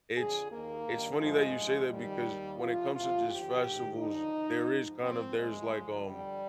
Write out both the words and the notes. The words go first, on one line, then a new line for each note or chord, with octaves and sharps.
it's It's funny that you say that because when it comes to just festivals, there is kind of there's like, um
F2 D3 F3 G#4
D#2 D#3 A#3
G2 D#3
G2 F3 G#3
D#2 D3 F3
F2 D#3 G3
D#2 D#3
F2 C3 F3 F4
D2 C3 F3 F4
D#2 D3 F3 G4
G#2 D#3
D#2 D3 F3 D#4
F2 C3 D#3
G#2 F3
G#2 F3 C4
D2 C3 F3 G#3
D2 D3 F3
G2 D3 F3 G3